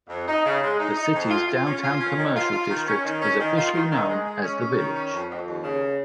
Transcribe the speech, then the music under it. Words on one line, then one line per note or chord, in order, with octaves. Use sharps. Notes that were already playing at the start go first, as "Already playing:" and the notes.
The city's downtown commercial district is officially known as "The Village".
F2
D#4
C#3
G#3
D#4
D#4
F2
F4
F4
C#4
F4
C#4
D#3
F4
F4
D#3
C#4
D#3
C#4
D#3
F4
D#3
D#3
G#3
G#3
C#4
C#4
D#3
C#4
F2
F2
D#2
C#3